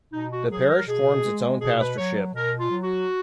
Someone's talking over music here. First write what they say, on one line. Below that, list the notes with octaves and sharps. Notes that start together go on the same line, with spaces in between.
The parish forms its own pastorship.
B2 D#4
F#4
F#3 G#4
A#4
B2 G#4
G#3
B2 G#4
B4
F#3 C#5
B2 A#4
F4
F#3
F#4